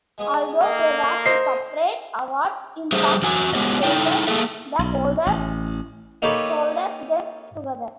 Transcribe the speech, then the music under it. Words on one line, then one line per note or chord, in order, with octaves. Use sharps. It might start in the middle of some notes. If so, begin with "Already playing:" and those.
Although they were two separate awards in some cases the holders soldered them together.
G#3 B3 G#4
A#3 D#4 A4 D#6
C5 D#5 C7
G3 A3 G4 G#4 C5 E5
E2 F#3 F#4 G#5
G#3 B3 G4 C#5 D#5
D#4 E4 A4 G5
A3 A#3 G#4 A4 E5
B1
A1
A#3 D#4 G4 A4 B4 C#5